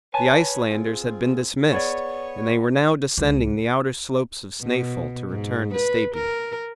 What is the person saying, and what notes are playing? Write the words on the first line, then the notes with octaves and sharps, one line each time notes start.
The Icelanders had been dismissed, and they were now descending the outer slopes of Snaefell to return to Stapi.
B4 C#5 G#5 A5
C4 F4 G#4
B3 G#4 C#5 D5
C#2
B2
G#2
B4
A#4